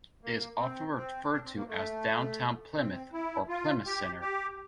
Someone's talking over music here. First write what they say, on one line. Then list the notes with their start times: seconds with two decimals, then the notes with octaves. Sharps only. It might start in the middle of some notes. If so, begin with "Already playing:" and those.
It is often referred to as Downtown Plymouth or Plymouth Center.
0.23 A#3
0.58 C4
0.95 C4
1.31 D4
1.43 C4
1.55 A#3
1.68 A3
2.77 C4
3.13 E4
3.49 F4
3.86 G4
4.21 G4